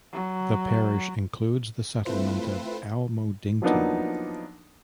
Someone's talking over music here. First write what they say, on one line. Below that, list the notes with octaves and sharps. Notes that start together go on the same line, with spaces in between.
The parish includes the settlement of Almodington.
F#3
A3 C4 E4 F4 B4 C5
F3 F#3 A#3 B3 D4 D#4